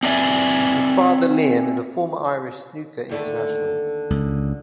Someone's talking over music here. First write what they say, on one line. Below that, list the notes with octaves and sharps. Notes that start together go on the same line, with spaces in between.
His father Liam is a former Irish snooker international.
C4 D4 D5 E5 G#5
D#2 D3 A3
C#2